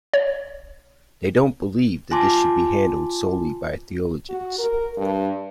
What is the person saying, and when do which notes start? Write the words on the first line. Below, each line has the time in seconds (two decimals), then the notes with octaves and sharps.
They don't believe that this should be handled solely by theologians.
0.14 C#5
2.11 F4 G#5 A5 C6 D6
4.29 F#4
4.59 A#4
4.97 G2